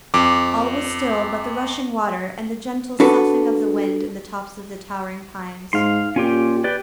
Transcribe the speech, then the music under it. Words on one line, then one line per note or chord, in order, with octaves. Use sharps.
All was still but the rushing water and the gentle soughing of the wind in the tops of the towering pines.
F2 D6
D4 F#4 A4 B4
G#2 F5 C6
A#2 C#4 F4 G4
G4 B4 D5